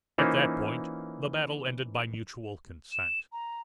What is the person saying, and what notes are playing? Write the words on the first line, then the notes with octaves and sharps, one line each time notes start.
At that point the battle ended by mutual consent.
E3 A#3 C#4 D#4 F4 C5
E7
A#5